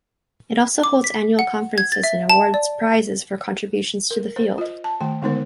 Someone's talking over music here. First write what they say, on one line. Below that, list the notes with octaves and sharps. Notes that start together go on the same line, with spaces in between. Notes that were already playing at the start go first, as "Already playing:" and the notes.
It also holds annual conferences and awards prizes for contributions to the field.
D6
B6
F#5
G#6
A6
E5
A5
D5
A#4
C5
F4 D#5
A5
D#3 A3 G5
D3 G#3 B3 D#4 A#4 C5